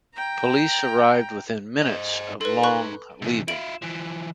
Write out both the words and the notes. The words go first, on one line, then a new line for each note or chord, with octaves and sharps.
Police arrived within minutes of Long leaving.
G5 A#5
C5 D#5
D#4 A4 B4 C6
B5 C#6 F#6
C3 E3
E4 F4 D7 F#7
E3 F3